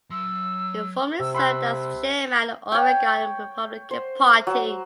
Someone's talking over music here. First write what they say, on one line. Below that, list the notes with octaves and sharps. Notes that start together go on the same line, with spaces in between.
He formerly served as Chairman of the Oregon Republican Party.
F#3 C6 E6
C2 C3 E6
B5 C6 E6 F#6
C#5 G5
C5
F#3